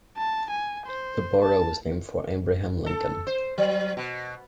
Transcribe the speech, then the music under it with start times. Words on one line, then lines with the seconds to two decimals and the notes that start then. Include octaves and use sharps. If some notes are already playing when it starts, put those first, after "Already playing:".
The borough was named for Abraham Lincoln.
0.18 A5
0.50 G#5
0.86 C5
1.41 A5
2.86 A4
3.27 C5
3.58 F#3
3.97 B2